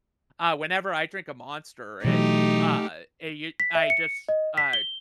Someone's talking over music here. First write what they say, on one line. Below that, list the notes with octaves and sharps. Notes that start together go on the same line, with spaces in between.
Uh, whenever I drink a Monster it, uh, it, you I just, uh,
B2 E3 F#3 A3 D#4 G4
B6
E5
C#7
D#5
B6
G7